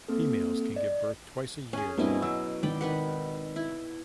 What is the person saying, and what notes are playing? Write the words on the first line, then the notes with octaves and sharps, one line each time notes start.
Females can give birth twice a year.
A#3 C4 A4
D5 D#5
C#4 G#4 C#5 G#5
G2 B2 A#3 C4 E4 D#5
F#3 E6
G#1 D5 G5 B5
D#3 B4 F#5
E4